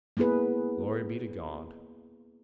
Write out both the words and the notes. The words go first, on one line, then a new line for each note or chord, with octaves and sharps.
Glory be to God.
A#3 B3 E4 G#4 B4